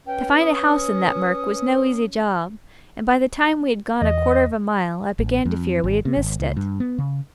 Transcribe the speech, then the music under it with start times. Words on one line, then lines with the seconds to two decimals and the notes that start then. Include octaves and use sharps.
To find a house in that murk was no easy job, and by the time we had gone a quarter of a mile I began to fear we had missed it.
0.07 C#4 B4 G5
0.41 D#6
4.02 E2 D#5
5.19 A1
5.45 F2
5.84 G#1
6.05 C3
6.17 G#1
6.40 C#2
6.57 G2
6.80 B3
6.98 C#3